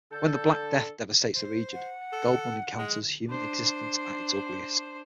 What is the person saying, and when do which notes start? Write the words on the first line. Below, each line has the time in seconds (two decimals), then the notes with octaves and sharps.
When the Black Death devastates the region, Goldmund encounters human existence at its ugliest.
0.12 D3 D4 A4 G6
1.35 C5
1.73 F#5
2.12 A4
2.78 G#3
3.28 D4 C5